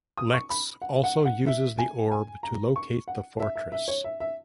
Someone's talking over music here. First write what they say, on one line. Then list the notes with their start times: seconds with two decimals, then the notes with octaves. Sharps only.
Lex also uses the orb to locate the fortress.
0.18 D#6
0.34 C#6
0.50 B5
0.82 F#5
1.04 F#5
1.25 F#5
1.47 E5
1.79 G#5
2.12 G#5
2.43 A#5
2.76 C#6
3.08 F#5
3.40 E5
3.56 E5
3.72 E5
3.88 C#5
4.04 E5
4.20 E5